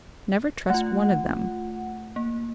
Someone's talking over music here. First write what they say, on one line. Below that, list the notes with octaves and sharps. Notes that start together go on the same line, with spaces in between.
Never trust one of them.
A3 F4 F#5
A#3